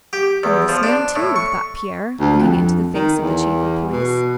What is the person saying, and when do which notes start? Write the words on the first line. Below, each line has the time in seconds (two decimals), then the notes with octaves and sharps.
"And this man too," thought Pierre, looking into the face of the Chief of Police.
0.13 G4
0.43 E2
0.68 F3
0.83 D4
1.16 A2
1.36 C#6
2.20 D2
2.39 F2
2.94 D#3
3.20 E2
3.92 B2